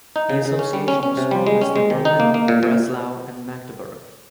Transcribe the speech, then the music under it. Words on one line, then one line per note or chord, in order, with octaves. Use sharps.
The association was strongest in Berlin, Breslau, and Magdeburg.
D#4
C#3
C#3
C#4
G3
C#4
C#4
C3
G3
G#3
C#4
G#3
D#3
D#4
A#3
A#3
A#2
A#2